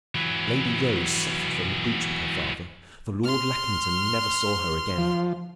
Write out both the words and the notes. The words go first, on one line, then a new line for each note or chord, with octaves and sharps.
Lady Rose suffered from the breach with her father, for Lord Lackington never saw her again.
E3 F#3
C6 F6
F3